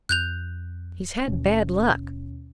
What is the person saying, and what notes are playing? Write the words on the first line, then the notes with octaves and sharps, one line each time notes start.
"He's had bad luck."
F2 F#6 G6 F7
D#2 B2 C#4